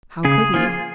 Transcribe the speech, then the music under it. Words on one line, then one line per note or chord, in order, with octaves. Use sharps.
How could he?
C#3 G#4
F3 A#3 F4